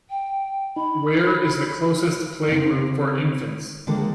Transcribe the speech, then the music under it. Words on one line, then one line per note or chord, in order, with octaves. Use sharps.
Where is the closest playgroup for infants?
G5
D#4 B5
C#3 C4
D3 D#3 F3 G#3 A#3 A4